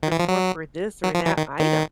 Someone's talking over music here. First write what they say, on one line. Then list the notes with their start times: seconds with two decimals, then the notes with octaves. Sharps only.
more for this or that item."
0.03 D#3
0.12 E3
0.19 F3
0.28 F#3
1.04 F#3
1.15 F3
1.26 E3
1.37 D#3
1.60 D#3